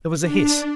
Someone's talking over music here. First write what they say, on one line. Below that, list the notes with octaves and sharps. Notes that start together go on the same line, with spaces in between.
There was a hiss.
D4